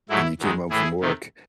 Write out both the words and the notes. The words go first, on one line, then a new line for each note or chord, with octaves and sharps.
and you came home from work,
G#2 F#3 A3 E4
E2 D#3 G#3
A2 E3 A3 E4 G#4
C3 D#3 A3